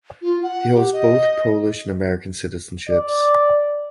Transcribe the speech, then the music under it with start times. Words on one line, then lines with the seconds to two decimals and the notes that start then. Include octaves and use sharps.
He holds both Polish and American citizenships.
0.22 F4
0.43 F#5
0.75 G4
0.93 D#5
2.89 D5